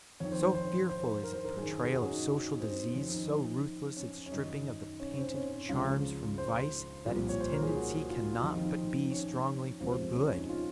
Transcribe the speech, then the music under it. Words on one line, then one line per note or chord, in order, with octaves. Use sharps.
So fearful is its portrayal of social disease, so ruthless its stripping of the painted charms from vice, that its tendency cannot but be strongly for good.
F2 D#3 C#5
C5
C5
C5
C5
A#4
C5
A#4
F#2 D#3 G#4
G#4
F#4
C#4
D#4
C4
F2 D#3 C#4
D#4
C#4
C#4
F#2 D#3 D#4
C#4
C#4
C4
C#4
C#2 C#3 F3 F4
C5
C2 A#2 F3
C#5
C5
A#4
G#4
F#4
F4
F4
F2 D#3 D#4
C#4
C#2 C3 F3 C4
C#4
C#4
D#4
F4